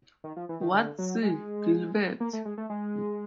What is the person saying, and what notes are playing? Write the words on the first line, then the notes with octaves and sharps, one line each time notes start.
Ward C. Gilbert.
D#3
F3
E3
D#3
D3
F#3
G#3
A#3
A3
G#3
A3
G#3